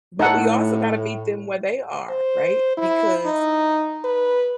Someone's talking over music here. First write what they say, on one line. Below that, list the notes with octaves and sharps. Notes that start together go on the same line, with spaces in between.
But we also gotta meet them where they are, right? Because
A2 D#4 A4 F#5
C5
E4
D#4
B4